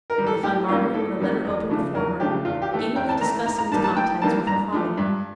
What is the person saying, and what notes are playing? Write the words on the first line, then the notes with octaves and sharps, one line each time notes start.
They found Margaret with a letter open before her, eagerly discussing its contents with her father.
A#4
E3 G3
A4
A2 G4
E3 G3 A#3 C#4 F4
A2 A4
E3 G3 A#3 C#4
E2
C#3 F3 A3 D4
E2 A#4
C#3 F3 A3 D4 G4
E2 F4
G4
E3 A3
A4
E2 G5
A5
E3 A3 A#5
A2 A#5
A#5
E3 G3 A#3 D4 A5
A5
A2 G5
E3 G3 A#3 D4 A5
G2 A#5
F3 A3 D4
G2